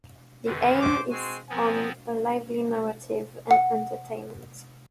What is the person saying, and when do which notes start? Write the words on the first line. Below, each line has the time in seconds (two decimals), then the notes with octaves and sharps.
The aim is on a lively narrative and entertainment.
0.46 F2 D3 D#3 G#3 B4
0.80 C#4 C5 D6
1.10 G#3 C4 F#4 G#5
1.49 F3 B3 C4 A#4 C5 G#5
3.51 F#5